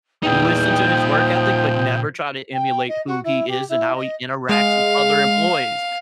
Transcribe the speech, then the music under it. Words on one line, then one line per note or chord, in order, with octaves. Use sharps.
"Listen to his work ethic, but never try to emulate who he is and how he interacts with other employees,"
E2 A#2 D#4 G5 D#6 G6
F3
G5
D#5
F#4
E4
G4
E4
D#5
G#3 F5